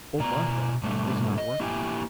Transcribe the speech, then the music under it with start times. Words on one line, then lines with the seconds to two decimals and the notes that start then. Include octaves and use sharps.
Old Martha was not working.
0.20 B2 D5 A#5
0.83 G#2 B2 G3 A3
1.38 D#5
1.60 A#3 E4 G4 A#4 G5 G#5